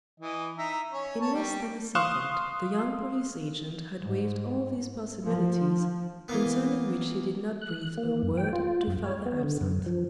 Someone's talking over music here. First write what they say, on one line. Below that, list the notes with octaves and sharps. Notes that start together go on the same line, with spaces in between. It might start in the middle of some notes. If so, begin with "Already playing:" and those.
In less than a second the young police agent had weighed all these possibilities, concerning which he did not breathe a word to Father Absinthe.
E3 D#5
D#4 E5 A#5
C#4 C#5
C#5 A5
G3
F5 C6 C#6 D#6 F#6 E7
G#2
F3
E3 A#3 B3
F#6
A#3
F#2
G5
F4
F#2
C#5
B3
D3
F#2
F3